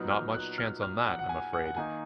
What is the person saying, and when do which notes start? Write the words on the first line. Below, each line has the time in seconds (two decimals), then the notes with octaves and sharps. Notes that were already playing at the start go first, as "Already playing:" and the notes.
Not much chance on that, I'm afraid.
Already playing: A#2 F#3 B3 D#4 F6
0.11 F6
0.34 F#6
0.58 F6
0.82 F6
1.06 F#5
1.19 F#5
1.29 G#5
1.53 F#5
1.65 F#5
1.76 D#3 A#3 D#4 G#5